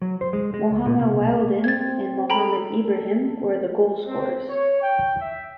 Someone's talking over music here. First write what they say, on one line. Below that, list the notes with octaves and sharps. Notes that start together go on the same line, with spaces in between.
Mohamed Wildhan and Mohamed Ibrahim were the goal scorers.
F#3
C5
G#3
G#3
C#2
A#2
C3
B1
C4 G#6 A6
A4 G5 A#5 B5
C4
C#5
G5
E5